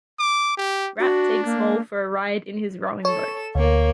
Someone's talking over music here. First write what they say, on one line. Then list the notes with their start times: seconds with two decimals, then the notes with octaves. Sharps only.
Rat takes Mole for a ride in his rowing boat.
0.19 D6
0.57 G4
0.99 D4 F#4
1.45 A#3
3.05 A4 C#5 E7
3.55 D2 A#3 C#5